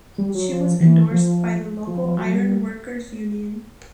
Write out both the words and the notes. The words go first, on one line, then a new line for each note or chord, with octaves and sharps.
She was endorsed by the local Iron Workers Union.
G3
F#3
F3
E3
F3
F3
F3
F#3
G3